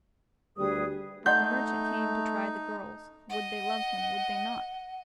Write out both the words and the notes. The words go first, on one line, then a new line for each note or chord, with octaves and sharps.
The merchant came to try the girls: Would they love him, would they not?
D2 G3 G#4 B4 D#6
A3 D#4 D#5 F#5 C6 G6
D#5 F#5